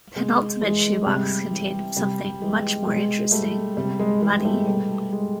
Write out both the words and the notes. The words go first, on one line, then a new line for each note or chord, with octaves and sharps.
The penultimate shoe box contained something much more interesting – money.
C3 G#3
E3 G#3
C3 G3
E3
C3 G3
E3 G#3
B2 G#3
G3 A3
C3 G3
G#3
E3 G#3
G3 A3
B2 G3 A3
G#3